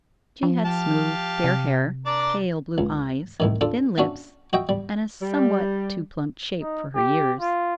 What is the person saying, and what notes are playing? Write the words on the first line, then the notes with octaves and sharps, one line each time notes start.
She had smooth fair hair, pale blue eyes, thin lips, and a somewhat too plump shape for her years.
F3
G4 F5 A5
C3
D4 A#4 D5
C#2
C2 A2 D#3
D4 F4 A4
C#4 D4 F#4 E5 F5
F#4 D#5 E5 G5
G3
G3
D#4
G4
F4